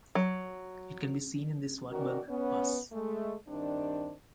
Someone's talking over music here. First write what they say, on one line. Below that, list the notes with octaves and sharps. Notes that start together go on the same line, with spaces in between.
It can be seen in the Swartberg Pass.
F#3
D#3 B3 C#4 F#4 A#4 D5
B3 C#4
G#3 A3
G2 D#3 C4 D4